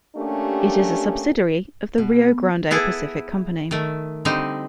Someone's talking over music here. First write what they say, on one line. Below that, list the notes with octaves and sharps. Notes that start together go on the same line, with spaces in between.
It is a subsidiary of the Rio Grande Pacific Company.
A3 A#3 C#4 D4 G4
B2
B3 E4 G#4 A4
D#3 A3
D3 G3 C4 D#4